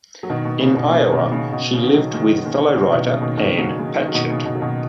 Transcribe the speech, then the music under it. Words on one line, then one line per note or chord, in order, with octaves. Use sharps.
In Iowa she lived with fellow writer Ann Patchett.
F#3
B2 D#3
B2
C#3
B2
C#3
B2 D#3
C#3
B2
C#3
D#3
C#3 F#3
D#3 G#3
D#3 G#3
C#3 F#3
B2 D#3
C#3
B2 D#3
B2 D#3
C#3 F#3
D#3 G#3
D#3 G#3
F#3
B2 D#3
C#3
B2
F#3
B2 D#3